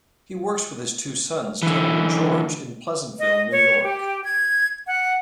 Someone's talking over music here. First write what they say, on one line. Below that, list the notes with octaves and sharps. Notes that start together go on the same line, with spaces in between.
He works with his two sons Teddy and George in Pleasantville, New York.
D3 E3
D#5
C#5
G4
G#6
F#5